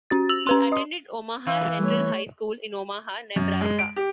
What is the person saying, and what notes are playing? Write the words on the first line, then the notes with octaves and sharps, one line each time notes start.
He attended Omaha Central High School in Omaha, Nebraska.
C#4 F#4 A6
E6 F7 F#7
C#4 B4 C6
D#5 D#6
E3 F5
G3 A3 C#5
F#2
G#3
D7
G4